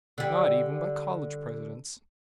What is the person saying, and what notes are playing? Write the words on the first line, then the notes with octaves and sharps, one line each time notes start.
Not even by college presidents.
D3 G3